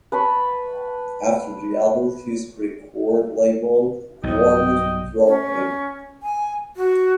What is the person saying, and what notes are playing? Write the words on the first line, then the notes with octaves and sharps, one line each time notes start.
After the album his record label, Warners, dropped him.
B4 A5 B5 C#6
B1 G2 D#5 G5
C#4
G#5
F#4